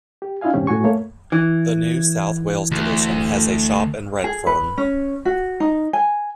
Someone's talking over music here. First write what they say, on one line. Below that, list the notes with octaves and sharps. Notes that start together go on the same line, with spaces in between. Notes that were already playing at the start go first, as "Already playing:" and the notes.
The New South Wales Division has a shop in Redfern.
G4
D4 E4 F4 D#5 F5 G#5
E2 G#2 C3 C#4 G4
A2 F#4 G#5 C#6
A3 A#3 C#5
E3
D2
G#4
B4
C#4
F#4
D#4
G#5